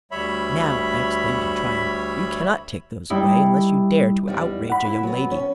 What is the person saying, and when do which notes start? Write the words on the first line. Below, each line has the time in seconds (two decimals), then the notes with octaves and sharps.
"Now," I exclaimed in triumph, "you cannot take those away, unless you dare to outrage a young lady."
0.11 D2 G3 C#5 E5 B5
3.10 G3 D#4 E4
4.28 E2 G3 D#4
4.70 F#5 B5
4.85 E4 E5
5.03 F#3 B3
5.31 C#4